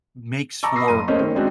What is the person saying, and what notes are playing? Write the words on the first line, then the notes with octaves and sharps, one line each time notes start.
makes for
A5 A#5 C#6 D6 E6
B5 D#6 A#6 C7
F#1 C6 D#7
A3 A#3 C#4 C5 C#5 D#5
D#3
G#3 C4 D4 F#4